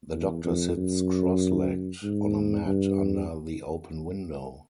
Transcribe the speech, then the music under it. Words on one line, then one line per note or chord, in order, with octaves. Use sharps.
The doctor sits cross-legged on a mat under the open window.
E2
F2
F#2
G#2
G2